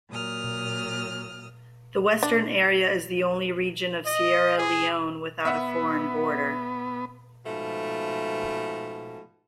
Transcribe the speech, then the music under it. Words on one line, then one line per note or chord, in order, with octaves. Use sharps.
The Western Area is the only region of Sierra Leone without a foreign border.
A#2 F#3 D#6 F6
D4
D#5
G#4
B3 E5 F#5
G#2 B2 F3 A3